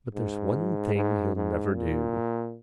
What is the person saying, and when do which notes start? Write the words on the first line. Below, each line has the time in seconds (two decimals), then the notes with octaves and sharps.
But there's one thing he'll never do.
0.15 G#2
0.95 G#2
1.36 G#2
1.76 A#2